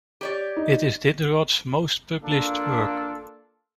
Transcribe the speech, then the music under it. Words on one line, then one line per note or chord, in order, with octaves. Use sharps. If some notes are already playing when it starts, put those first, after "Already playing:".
It is Diderot's most published work.
G4 C#5 D5
D#4
A#3 D4 F4 A4